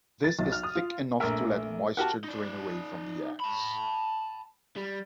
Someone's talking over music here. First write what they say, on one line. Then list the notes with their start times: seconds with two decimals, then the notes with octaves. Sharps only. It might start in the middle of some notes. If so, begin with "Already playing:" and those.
This is thick enough to let moisture drain away from the eggs.
0.24 A6
0.39 B1
0.52 F6
0.63 D#6
0.75 F4
1.20 A#1 A3 A#3 A#4 E5
1.97 F#4 G4 A#4 F#5 A5
2.24 D#4 D5
3.40 A5 B5
4.76 G3